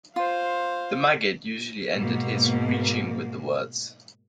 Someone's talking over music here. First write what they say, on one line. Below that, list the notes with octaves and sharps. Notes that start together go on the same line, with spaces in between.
The maggid usually ended his preaching with the words.
F4 C5 F5
G#2 B2 A#3